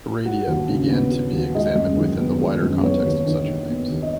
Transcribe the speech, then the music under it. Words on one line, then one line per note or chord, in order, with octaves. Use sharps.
"Aradia" began to be examined within the wider context of such claims.
F#3 F#5
D#2
C#3
B3
F#3
D#2
G#3 D#5
F#2
D#3
B3
G#3
F#2
B3 C#5
D#2
D#3
D#2
B3
D#2
D#5